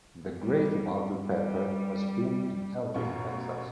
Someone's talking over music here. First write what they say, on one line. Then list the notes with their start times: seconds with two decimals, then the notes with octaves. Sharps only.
"The Great Waldo Pepper" was filmed in Elgin, Texas.
0.41 G3
1.21 G3
2.94 A1 F#2 B2 F4 A#4 C#6